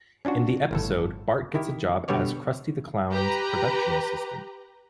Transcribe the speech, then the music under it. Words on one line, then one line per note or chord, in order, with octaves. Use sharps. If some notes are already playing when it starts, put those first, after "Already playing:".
In the episode, Bart gets a job as Krusty the Clown's production assistant.
C#4 D4 F4 F#4
G1 A2 A4
D#3 E4 G4
B2 D3 G3 B3 C#5 D5
G4 B4 A#5